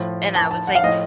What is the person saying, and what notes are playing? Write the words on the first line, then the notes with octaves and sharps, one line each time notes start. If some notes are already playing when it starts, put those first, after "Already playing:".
And I was like,
Already playing: A2 F3
A5
A5
F#5
F5
A2 F3 D#5